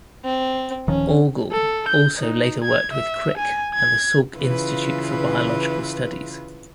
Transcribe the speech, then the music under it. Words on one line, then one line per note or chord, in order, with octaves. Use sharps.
Orgel also later worked with Crick at the Salk Institute for Biological Studies.
C4
D1 D#3 F3 C#4
A4
G6
D#4
G#6
E5
G#5
G#6
C#3 E3 F4 B4